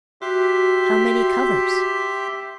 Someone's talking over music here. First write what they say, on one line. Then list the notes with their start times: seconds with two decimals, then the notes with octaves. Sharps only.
"How many covers?"
0.22 F#4 G4 E5 C6